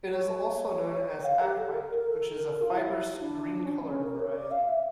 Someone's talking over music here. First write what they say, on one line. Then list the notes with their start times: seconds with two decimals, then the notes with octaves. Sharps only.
It is also known as acmite, which is a fibrous, green-colored variety.
0.10 C#5
1.18 G5
1.24 F5
1.41 G4
1.57 A4
1.74 A#4
1.98 A#4
2.09 A4
2.21 A#4
2.61 F4
2.71 E4
3.20 D4
3.65 C#4
3.69 D4
3.81 A#3
3.86 C#4
4.03 A#4
4.13 A#4
4.19 C#5
4.35 D5
4.51 F5
4.68 E5